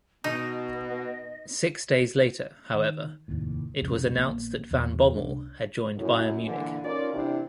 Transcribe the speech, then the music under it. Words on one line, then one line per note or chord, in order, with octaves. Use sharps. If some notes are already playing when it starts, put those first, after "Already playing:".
Six days later, however, it was announced that Van Bommel had joined Bayern Munich.
B2 B3 D#4 D#5
D#3
F1 D#2 A2
C2 F2 C#3
A#1 A#3 B3
E2 B2
C2 D4
F#2 A2
A#2 D3 E3
C#4 D#4 F4 A#4 D5
C3 E3 D4 E4